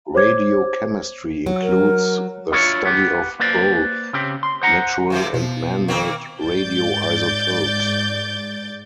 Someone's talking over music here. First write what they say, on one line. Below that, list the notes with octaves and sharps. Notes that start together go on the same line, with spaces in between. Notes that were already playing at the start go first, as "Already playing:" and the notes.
Radiochemistry includes the study of both natural and man-made radioisotopes.
C5 C#5 D6 G#6
F#3
A#4
D4 E4 F4 C#5
B3 G4
A#3 B4 C5 D5
C#3 C4 G4
C6
C5 F#5 A#5
C3 E3 F3
B2 F3
D#3 A#3 C4
G#2 D5 G6 A6